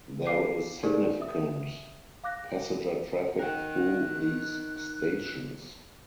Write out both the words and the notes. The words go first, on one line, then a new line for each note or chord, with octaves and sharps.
There is significant passenger traffic through these stations.
F5 D6 C7
D#4 G4 G#4 A#4 C5 D5
E5 D#6
F5 D6 F#6 A#6
D#4 A#4 F#5 G5 F#6